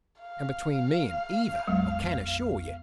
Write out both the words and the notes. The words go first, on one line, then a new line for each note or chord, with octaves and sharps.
"And between me and Eva, I can assure you."
F5
A#1 F2 F#3 G#3 B3